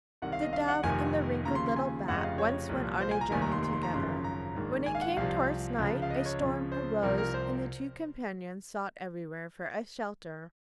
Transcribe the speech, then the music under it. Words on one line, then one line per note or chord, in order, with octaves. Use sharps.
The Dove and the wrinkled little Bat once went on a journey together. When it came towards night a storm arose, and the two companions sought everywhere for a shelter.
C2 C3 D#3 F#5
F5
D#5
F5
F#5
F1 F2 C3 D#3 G#5
D#2 C#3 F3 A#5
C6
C6
G#5
F1 F2 C#3 F3 F#5
D#5
F5
C#5
C2 A#2 F3
C5
G#5
A#5
F1 D#2 D#3 G#5
A#5
C6
C6
C6
A#5
G#1 F#2 C#3 F3 C6
A#5
A#1 G#2 D#3
G#5
F5
F#5
C2 C3 F3 F5
C#2 C#3 F3
F5
D#5
C#5
C#2 C#3 F3
C5
C2 C3 F3 A#4
A#4
C5